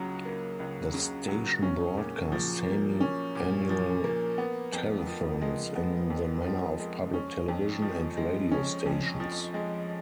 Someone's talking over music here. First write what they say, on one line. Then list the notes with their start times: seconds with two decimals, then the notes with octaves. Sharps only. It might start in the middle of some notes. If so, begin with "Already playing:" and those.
The station broadcast semi-annual telethons, in the manner of public television and radio stations.
Already playing: C#2 C#3 F#3
0.25 A#3
0.60 C#2
0.94 C#3
1.28 F#3
1.62 C#4
1.97 A#2
2.32 F3
2.66 A#3
3.01 C#4
3.35 A#2
3.69 F3
4.04 A#3
4.38 B3
4.73 F2
5.07 F3
5.42 G#3
5.76 B3
6.10 F2
6.44 F3
6.79 G#3
7.14 C#4
7.48 F2
7.82 F3
8.17 G#3
8.52 C#4
8.86 F2
9.20 F3
9.54 G#3